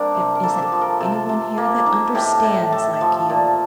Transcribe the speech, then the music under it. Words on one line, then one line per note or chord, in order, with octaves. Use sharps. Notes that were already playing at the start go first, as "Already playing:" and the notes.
There isn't any one here that UNDERSTANDS--like you.
Already playing: G3 A#3 C4 D4 A#4
C3
A#4
A#3 A4
G4
A4
F3
A#4
C3 A4
C3
A#3
D#3
A2 G4
A2
A3 A4
F3
A#2